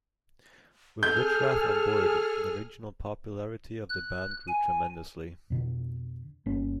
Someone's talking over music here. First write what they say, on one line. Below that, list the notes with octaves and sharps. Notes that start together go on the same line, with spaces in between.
With Richrath on board, the regional popularity of the band grew tremendously.
G#4 A4 F6 G6
F#6
G#5
F2 B2 D3
G1 A#3 C#4